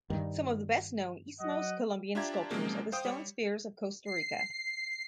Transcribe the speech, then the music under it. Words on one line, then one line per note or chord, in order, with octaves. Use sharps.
Some of the best-known Isthmo-Colombian sculptures are the stone spheres of Costa Rica.
G2 D#3
F#3 D#5 F#5
D4 F4 G4 E5 A#5 G#6
C3 F3 F#3 G#3 A#3 C#4
C5 F5 G5 D#6
G3 C#5
C7